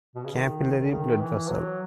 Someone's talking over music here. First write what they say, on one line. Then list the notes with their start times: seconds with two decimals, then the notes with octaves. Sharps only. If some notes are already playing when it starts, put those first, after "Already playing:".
Capillary blood vessel.
0.15 B2
0.25 C#3
0.35 D#3
0.78 D#3
0.86 C#3
0.93 D#3
1.21 E3
1.50 F#3